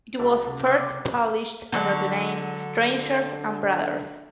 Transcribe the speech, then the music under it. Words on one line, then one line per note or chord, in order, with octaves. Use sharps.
It was first published under the name "Strangers and Brothers".
C#2 F#3 D4 E4
C3 A4
A#3 F#5 D6 F6 F#6 G#6
D3 F#3 D4